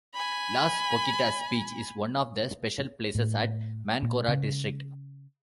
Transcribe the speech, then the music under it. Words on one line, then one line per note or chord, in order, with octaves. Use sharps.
Las Pocitas Beach is one the special places at Mancora District.
G#5 B5
A2
A#2
C#3